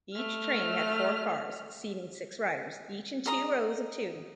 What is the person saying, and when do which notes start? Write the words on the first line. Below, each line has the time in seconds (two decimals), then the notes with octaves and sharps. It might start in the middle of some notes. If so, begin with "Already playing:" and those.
Each train had four cars seating six riders each in two rows of two.
0.14 A3 F6
3.26 G#4 D#5 A#5 D#6